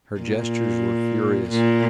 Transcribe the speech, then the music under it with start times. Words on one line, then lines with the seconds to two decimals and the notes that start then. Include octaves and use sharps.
Her gestures were furious.
0.20 A#2
1.50 A#2